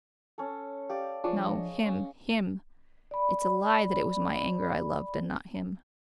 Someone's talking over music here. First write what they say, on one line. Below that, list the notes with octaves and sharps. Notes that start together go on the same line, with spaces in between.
No, him, him! It's a lie that it was my anger I loved and not him.
C#4 A4
G4 D5 F5
F3 D4 G#4 C#5 D5
D#5
C#4
D5 B5